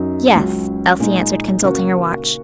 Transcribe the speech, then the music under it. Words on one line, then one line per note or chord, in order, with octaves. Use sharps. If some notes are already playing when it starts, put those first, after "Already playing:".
"Yes," Elsie answered, consulting her watch.
Already playing: F#2 F#3 D#4
C#2 C#3 F#3
A#2 G#3 D#4
C#3 A#3 F#4